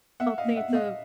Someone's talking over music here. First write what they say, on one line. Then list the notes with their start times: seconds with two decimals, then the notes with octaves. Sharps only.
update the
0.20 B3 E5 F#5
0.38 D#5 F5
0.44 A#3
0.56 E5 F#5
0.69 B3
0.74 D#5 F5